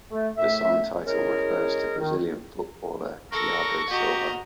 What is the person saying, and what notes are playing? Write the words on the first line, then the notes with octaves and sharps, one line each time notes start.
The song title refers to Brazilian footballer Thiago Silva.
A3
A2 A3 E5
G#3 C#4 E4 G#4 A#4
D#3
A4 A#4 C#6 A#6
F#4 G4 D#5 A#5